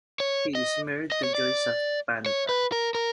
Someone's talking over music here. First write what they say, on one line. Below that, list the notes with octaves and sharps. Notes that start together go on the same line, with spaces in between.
He is married to Joy Zapanta.
C#5
D#5
D#5
C#5
D5
C#5
B4
A#4
A#4